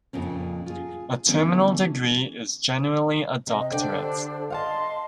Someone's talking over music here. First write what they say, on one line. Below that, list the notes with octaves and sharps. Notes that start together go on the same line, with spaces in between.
A terminal degree is generally a doctorate.
F2 A#2 C#3 C#4
F4 G#4
D3 E3 G3 A3 B3 C#4
C3 D#5
D3 D4 A4 C5 D5 G5
D#5 F5 F#5 A5 C6